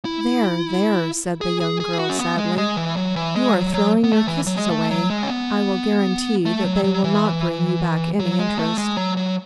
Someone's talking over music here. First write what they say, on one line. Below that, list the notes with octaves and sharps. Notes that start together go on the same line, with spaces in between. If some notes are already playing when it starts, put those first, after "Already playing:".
"There, there," said the young girl, sadly, "you are throwing your kisses away; I will guarantee that they will not bring you back any interest."
E4
G#4
G#4
G#4
F#4
C#4
B3
G#3
G#3
E3
F#3
E3
G#3
F#3
F#3
B3
A3
E3
F#3
G#3
A3
F#3
G#3
C#4
B3
A3
F#3
F#3
E3
F#3
G#3
A3
G#3
F#3
F#3